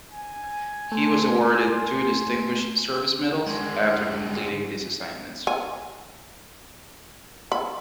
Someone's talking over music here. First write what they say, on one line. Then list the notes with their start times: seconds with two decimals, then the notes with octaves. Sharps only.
He was awarded two Distinguished Service Medals after completing these assignments.
0.12 G#5
0.92 A3 C6
3.47 D3 G#3
5.47 G#5
7.52 B5